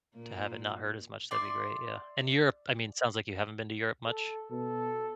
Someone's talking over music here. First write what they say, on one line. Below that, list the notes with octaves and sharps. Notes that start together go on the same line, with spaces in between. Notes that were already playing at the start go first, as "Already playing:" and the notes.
to have it not hurt as much, that'd be great, yeah. And Europe I mean, sounds like you haven't been to Europe much?
A#2 A#3
D5 E5 C6
A4
B2 A4